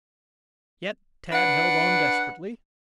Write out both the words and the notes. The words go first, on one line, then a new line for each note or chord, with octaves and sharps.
Yet Tad held on desperately.
D4 B4 F#5